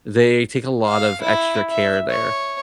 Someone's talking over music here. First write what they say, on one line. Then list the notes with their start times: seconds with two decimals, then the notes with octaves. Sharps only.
they take a lot of extra care there,
0.86 F5
1.21 E4
1.69 E5
2.11 C#5